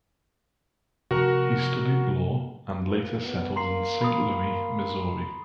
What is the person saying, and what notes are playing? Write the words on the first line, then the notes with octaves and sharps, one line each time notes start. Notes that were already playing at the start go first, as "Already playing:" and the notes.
He studied law, and later settled in Saint Louis, Missouri.
C3 F3 A3 F#4 A#4 F#5
A#3
B3
A#3 A#5 C6 C7
B5 D#6